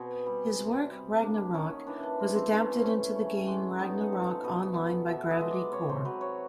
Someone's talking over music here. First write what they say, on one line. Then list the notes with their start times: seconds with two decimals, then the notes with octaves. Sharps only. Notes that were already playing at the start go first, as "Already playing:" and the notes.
His work "Ragnarok" was adapted into the game Ragnarok Online by Gravity Cor.
Already playing: B2 C4 G#4
0.26 G3
0.59 C3
0.91 G3
1.22 A#3 D4
1.54 D#3 C#4
1.87 E3 D4
2.03 D4
2.19 C4
2.35 C4
2.52 E3 D4
2.62 C#4
2.71 C4
2.82 A3 C#4
3.16 C#3
3.47 G#3
3.79 B3 D#4
4.01 A4
4.13 F3
4.23 A4
4.44 B2 D#5
4.76 B3
5.09 B2 E5
5.30 D#5
5.41 G#3
5.51 D5
5.72 C3 C#5
5.89 C5
6.05 F#3 B4
6.21 C#5